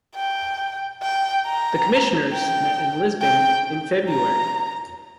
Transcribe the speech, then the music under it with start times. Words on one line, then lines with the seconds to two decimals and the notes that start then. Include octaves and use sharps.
The Commissioners met in Lisbon in February.
0.16 G5
1.03 G5
1.47 A#5
2.34 G5
3.22 G5
4.09 A#5